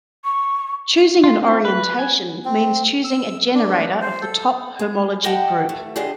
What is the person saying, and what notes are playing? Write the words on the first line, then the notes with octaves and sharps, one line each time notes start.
Choosing an orientation means choosing a generator of the top homology group.
C#6
F4
C4
B4
G#5
C4
E6
D4
C5
A4
G#4
G4 D#5 F#5 G5 A5
A3
G2 D3 D4 G4 G#4 D#5